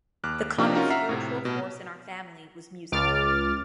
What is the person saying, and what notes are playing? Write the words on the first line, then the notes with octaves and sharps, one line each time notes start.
The common spiritual force in our family was music.
D#2 D6 F6 F#6
C3 F3 A#3 D4 D#4 G4
C#4 D#4 F4 F#4 A#4
E5 F#5 A#5 F6 B6 C7
A2 C3
B2
C#2 D6 F6 A6